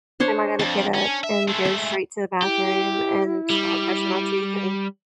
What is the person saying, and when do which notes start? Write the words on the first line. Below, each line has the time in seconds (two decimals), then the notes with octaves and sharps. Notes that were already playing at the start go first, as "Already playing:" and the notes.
"Am I gonna get up and go straight to the bathroom and start brushing my teeth and
0.20 D4 C5 C#5
0.59 F2 A5
0.94 C#4
1.23 E5
1.48 G#3 A3
1.65 E5
2.42 E4 G4
3.50 G3